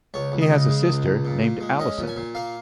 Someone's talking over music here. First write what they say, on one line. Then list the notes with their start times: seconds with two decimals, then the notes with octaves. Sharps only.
He has a sister named Allison.
0.14 C#2 C#5
0.32 C#2
0.41 D#5
0.50 C#3
0.69 G#3
0.87 C#2
1.06 C#2
1.25 A#2
1.42 A#2
1.61 G#3
1.79 C#4 D#5
1.98 A#2
2.07 G#5
2.16 A#2
2.35 A#3 F5